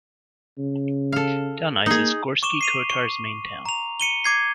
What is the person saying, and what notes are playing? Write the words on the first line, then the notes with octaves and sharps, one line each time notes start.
Delnice is Gorski Kotar's main town.
C#3
A4 F5
A#3 D#4 G#4
C#6 D6 E7 G7
C7 D#7 F7
C#6
A#5 F7
C#7 D#7 G7
D6 G#6 C7